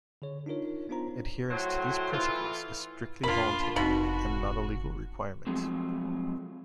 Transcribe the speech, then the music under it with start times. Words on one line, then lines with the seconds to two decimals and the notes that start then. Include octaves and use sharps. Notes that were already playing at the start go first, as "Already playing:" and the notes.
Adherence to these principles is strictly voluntary and not a legal requirement.
0.22 D3 G#4 C#5
0.46 D4 D#4 F4 A#4 C#5
0.89 B3 D4 D#4 F4 C5 A#5
1.51 A2 F#3 C5
2.12 E3 A3 F4
3.24 F2 A#2 A#3 D4 F4 A#4 B5
3.76 F1 B2 C4 D#4 F#4 B5
5.47 F3 F#3 G#3 A3 C4